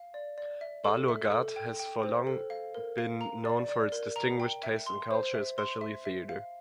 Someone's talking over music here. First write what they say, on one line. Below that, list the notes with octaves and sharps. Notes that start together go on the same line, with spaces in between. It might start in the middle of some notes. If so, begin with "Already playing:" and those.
Balurghat has for long been known for its distinguished taste in culture, especially theatre.
Already playing: F5
D5
D5
E5
A4
E5
A4
G5
G5
C5
A4
F5
A#4
F5
A#5
D5
D5
A#4
A#5
G5
E5
C6
C5
E5
C6
E5
E5
F5